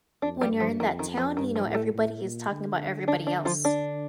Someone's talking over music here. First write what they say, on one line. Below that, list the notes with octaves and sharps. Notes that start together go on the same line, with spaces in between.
When you're in that town you know everybody is talking about everybody else.
F2 D4
G3
G2
F3
F2 D#3
D#3
F3
G2 D#3
F3
A2
A3
A2
A#2
D3
D4
D4
F3 F4
D4